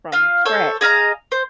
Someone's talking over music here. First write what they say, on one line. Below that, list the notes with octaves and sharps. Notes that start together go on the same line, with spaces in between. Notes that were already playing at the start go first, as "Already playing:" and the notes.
from scratch.
F4 F5
A4 C5 C#5
G#4 D#5 F5 A#5
C5